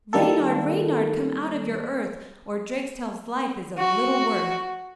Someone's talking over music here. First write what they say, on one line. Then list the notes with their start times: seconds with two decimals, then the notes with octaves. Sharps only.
'Reynard, Reynard, come out of your earth, Or Drakestail's life is of little worth.'
0.13 D#3 G3 A#3 A4
3.78 F#4